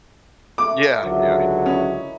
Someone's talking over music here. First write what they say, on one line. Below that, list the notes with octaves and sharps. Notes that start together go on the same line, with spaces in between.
Yeah, yeah.
A3 D6
C#2 D3 F#3 A#4 E5
C#4 E4 D#5